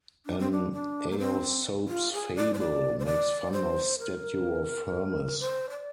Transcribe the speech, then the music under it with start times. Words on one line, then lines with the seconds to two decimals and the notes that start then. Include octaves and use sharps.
An Aesop's fable makes fun of statue of Hermes.
0.26 D4
0.39 C4
0.52 D4
0.73 D4
1.11 A#3
1.19 C4
1.88 F4
2.13 G#4
2.36 D5
2.54 C5
2.59 D5
2.99 C5
3.06 D5
3.52 C5
3.99 A#4
5.39 C5
5.70 D5